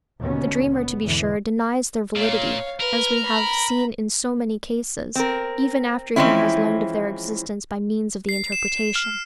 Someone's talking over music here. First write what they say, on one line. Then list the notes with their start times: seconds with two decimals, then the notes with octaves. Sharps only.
The dreamer to be sure denies their validity, as we have seen in so many cases, even after he has learned of their existence by means of the interpretation.
0.20 D#2 B2 D3 C#4
0.72 B3
1.02 E2 G#2 D3 E3
2.16 A#2 C#5 F5
2.81 A#4 B4
3.26 A#5 B5
5.15 C4 A#4
6.16 E3 F3 G#3 C4 C#4 E4
8.29 C7
8.52 E7
8.95 F6